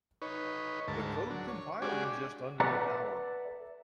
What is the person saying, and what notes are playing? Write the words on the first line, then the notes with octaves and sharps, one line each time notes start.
The code compiled in just under an hour.
D#4 B4 C#5
D2 G#2 A#4 A5
F#3 D4
C#5
G#3 D4 F#4 G4 D5 G#5
A4 B4 D5 E5 F#5 A#5